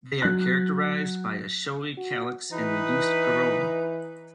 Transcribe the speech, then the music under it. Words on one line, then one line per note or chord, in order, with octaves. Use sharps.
They are characterized by a showy calyx and reduced corolla.
F#3 F#6
F#4
E3 D#4 B4